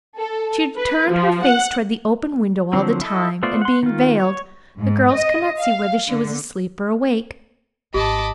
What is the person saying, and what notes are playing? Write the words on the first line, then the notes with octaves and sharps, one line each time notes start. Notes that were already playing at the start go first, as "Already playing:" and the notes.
She had turned her face toward the open window all the time, and being veiled, the girls could not see whether she was asleep, or awake.
A4
B4
F3
F#5
D3 F3 F#3 C4
E4 A4 D#5
A3 B3 F4 C5 D5
F#5 C6
D#3 F4
C#5
G#2
D#5
F5
D3
G#1 G4 D#5 A5 B5 D6